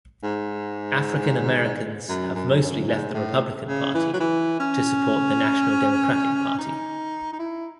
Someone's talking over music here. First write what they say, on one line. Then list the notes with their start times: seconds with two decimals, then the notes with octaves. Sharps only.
African Americans have mostly left the Republican Party to support the national Democratic Party.
0.23 G#2
2.09 F#2
2.35 F#2
2.61 F#2
2.88 G#2
3.14 A2
3.68 C#3
3.95 E3
4.14 F#3
4.20 E3
4.60 C#4
6.59 D#4
7.33 D#4
7.39 E4